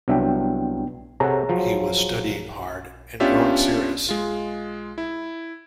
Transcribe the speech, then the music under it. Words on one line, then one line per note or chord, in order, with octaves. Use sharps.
He was studying hard, and growing serious.
C2 F#3 B3 D4 E5 G5
C3 G#4 A4 C#5 F#5 A#5
F3 F#3
B3 C#4 D4 F4 G4 E5
G#3 F4
E4